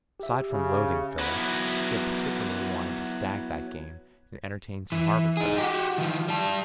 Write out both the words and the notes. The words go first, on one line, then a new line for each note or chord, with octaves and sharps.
Aside from loathing Phyllis, he had particularly wanted to stag that game and entertain some Harvard friends.
G4 E5
C#3
F#3 B3 E4 B4
E3
D#4 G#4
F#4 G4
D#3 F3
G3 A5